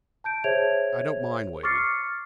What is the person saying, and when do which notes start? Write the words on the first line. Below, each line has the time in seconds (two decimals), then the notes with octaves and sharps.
I don't mind waiting.
0.24 A5 G6 D7
0.44 G#4 C5 C#5 E5 G#6 F7
1.63 C#6 D6 F6 A6 C7 C#7